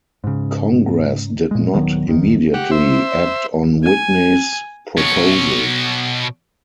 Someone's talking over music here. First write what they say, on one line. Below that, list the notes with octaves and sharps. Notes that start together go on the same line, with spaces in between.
Congress did not immediately act on Whitney's proposal.
G#2 C#3
A#2 G#3
D#1 D#3 F#3 B3
F#1 D#2 A#2 D#3
G4 F#5
C5 E5
G#5
B2 C#5